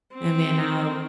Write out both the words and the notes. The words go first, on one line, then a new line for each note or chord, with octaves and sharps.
and then I'll,
C4